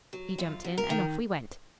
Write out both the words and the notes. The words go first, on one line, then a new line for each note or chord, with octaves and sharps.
He jumped in and off we went.
F#3
F#2 F4
F#2
A#4
D#3